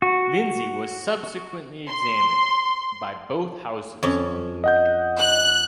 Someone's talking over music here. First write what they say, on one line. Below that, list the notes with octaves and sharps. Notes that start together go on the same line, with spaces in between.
Lindsay was subsequently examined by both Houses on the matter.
F#4
C6
F2 C#4
D#5 F#5 G6
F#6